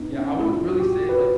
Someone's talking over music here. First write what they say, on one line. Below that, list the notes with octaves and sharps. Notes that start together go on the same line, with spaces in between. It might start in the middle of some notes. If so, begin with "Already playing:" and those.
Yeah, I wouldn't really say, like,
Already playing: B3 D4 D#4
C#4
D4
E4
F4
F#4
G4
B4